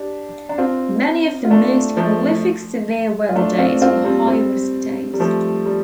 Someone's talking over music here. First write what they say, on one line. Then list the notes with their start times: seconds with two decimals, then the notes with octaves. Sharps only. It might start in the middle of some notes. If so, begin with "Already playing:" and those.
Many of the most prolific severe weather days were high risk days.
Already playing: D4 G4
0.49 D4
0.58 C4 F4
1.45 F4
1.50 A3 D4
1.97 F3 A3
3.29 F4
3.36 A3 D4
3.59 C4 F4
3.82 C4 F4
4.04 G3 C4
4.27 G3 C4
5.14 G3
5.20 F3 A3
5.66 G3